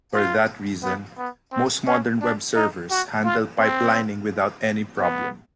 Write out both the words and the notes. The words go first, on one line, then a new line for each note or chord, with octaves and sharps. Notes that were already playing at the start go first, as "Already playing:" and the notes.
For that reason, most modern web servers handle pipelining without any problem.
F4
B3
B3
C4
C#4
D4
D#4
F#4
F4
C4
B3